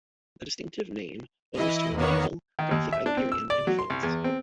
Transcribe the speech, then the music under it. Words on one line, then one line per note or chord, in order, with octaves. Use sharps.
The distinctive name owes to a medieval Gothic-Iberian influence.
E3 E4 D#5
E2 D#3 A#3 B3 C#5
D#3
D#2
E5
D4
C4
E6
D5
F#3
C6
C2
E2
C4